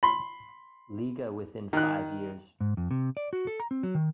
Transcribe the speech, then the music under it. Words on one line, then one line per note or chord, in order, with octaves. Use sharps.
Liga within five years.
B5 C6
D#3 F#6
G#2
F2
C3
D5
F#4
A4
A#5
C4
F#3
D#3